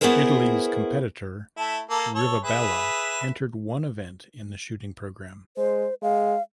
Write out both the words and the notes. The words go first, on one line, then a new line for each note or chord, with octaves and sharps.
Italy's competitor, Rivabella, entered one event in the shooting program.
B3 E4 F#4 G#4 A#4 C5
A3 E4
A#3 A4
A4 C#5
G#4 B4 E5
G#3 C5
G#3 F5